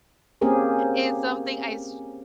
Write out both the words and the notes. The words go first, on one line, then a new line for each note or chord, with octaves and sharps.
is something I s
A#3 C4 C#4 G4 G#4 A#4